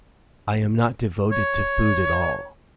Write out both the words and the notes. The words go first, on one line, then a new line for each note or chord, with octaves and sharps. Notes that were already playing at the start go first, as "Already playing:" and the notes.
I am not devoted to food at all.
C#5